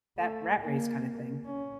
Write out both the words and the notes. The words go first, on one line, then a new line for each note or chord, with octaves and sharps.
that rat race, kinda thing.
A3
A#3
C#4